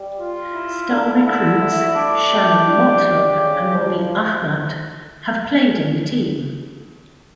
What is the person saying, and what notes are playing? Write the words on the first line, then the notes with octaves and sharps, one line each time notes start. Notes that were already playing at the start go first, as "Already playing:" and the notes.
Star recruits, Shannon Motlop and Robbie Ahmat, have played in the team.
Already playing: G3
F4
E4
D3
E4
A3
D4
G4
D4
G4
C#3
F3